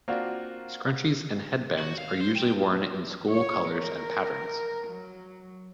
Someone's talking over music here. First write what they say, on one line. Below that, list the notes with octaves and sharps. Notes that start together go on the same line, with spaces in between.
Scrunchies and headbands are usually worn in school colors and patterns.
A#3 C4 D4 F4 F#4 A#4
F#4
F5
C5
G5
C#5
A#4
F#3